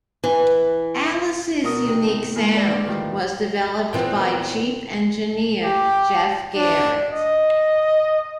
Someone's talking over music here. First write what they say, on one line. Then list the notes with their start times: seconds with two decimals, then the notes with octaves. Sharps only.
Alice's unique sound was developed by Chief Engineer Jeff Garrett.
0.24 E3
1.63 B2 D4 A#4 D#6
1.84 C3 D#4
2.04 A2
2.35 E3 G#3 A#3
2.54 B4 D5 E5
2.86 A2 D#3 F3 G3
3.93 A#2 E3 B3 C4 F4 G5
5.64 G4
6.56 D4
7.13 D#5